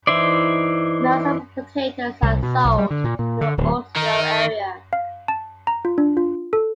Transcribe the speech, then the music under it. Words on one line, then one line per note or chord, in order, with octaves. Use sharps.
Most of the potatoes are sold in the Oslo area.
E3 D#4 E4 C5 D5
C2
B2
B1
G3
D3
A#2
A#2
D3
D1
D#3 D#4
F5
A5
A#5
F4
D4
F4
A4